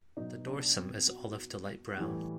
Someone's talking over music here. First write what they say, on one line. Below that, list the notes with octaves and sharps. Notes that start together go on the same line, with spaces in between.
The dorsum is olive to light brown.
B2 F#3 D#4
D4
C4
F#4
A2 E3 G3